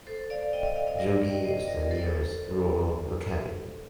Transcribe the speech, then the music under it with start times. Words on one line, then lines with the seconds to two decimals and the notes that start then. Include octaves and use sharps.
Yugi is the nearest rural locality.
0.07 A4 C5
0.30 D5 F5
0.53 D#5 G5
0.65 D5 F5
0.76 D5 F5
0.87 D5 F5
0.98 A#4 D5
1.29 D#5 G5
1.44 C5 D#5
1.68 A#4 D5
1.81 A#4
1.91 A4 C5